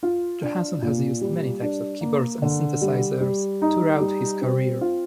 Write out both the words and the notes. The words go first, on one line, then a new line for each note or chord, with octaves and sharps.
Johansson has used many types of keyboards and synthesizers throughout his career.
F4
D4
A#2
G3
D4
A#3
D3
G3
G3
D#4
G3
C4
F4